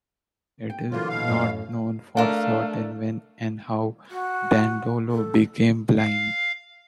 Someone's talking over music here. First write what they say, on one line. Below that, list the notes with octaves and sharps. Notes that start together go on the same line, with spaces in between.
It is not known for certain when and how Dandolo became blind.
G5
D3 E3 F#3 A#3 F4
B2 F5
F#2 A2
A3 D4 A#4 F5
F#4
A4
F5